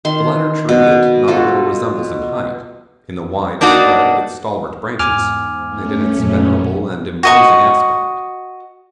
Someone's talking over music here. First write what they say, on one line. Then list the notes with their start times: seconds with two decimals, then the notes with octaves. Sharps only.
The latter tree it not a little resembles in height, in the wide spread of its stalwart branches, and in its venerable and imposing aspect.
0.05 D#3 C6
0.69 B2
1.28 F4 F#4 A4
3.61 A#3 D4 D#4 F#4
4.99 E2 G#2 G#5 D6 F6
5.66 A3 C#4
6.14 A#1 F#2 B2
7.23 F#4 D#5 C#6